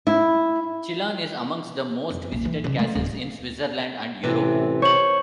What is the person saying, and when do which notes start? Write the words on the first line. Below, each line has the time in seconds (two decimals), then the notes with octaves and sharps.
Chillon is amongst the most visited castles in Switzerland and Europe.
0.07 E4
2.10 F2
2.32 A#1
2.45 E3
2.64 C#3
2.79 A3
2.95 D1
4.23 A1 C3 E3
4.82 C5 C#5 C#6 F#7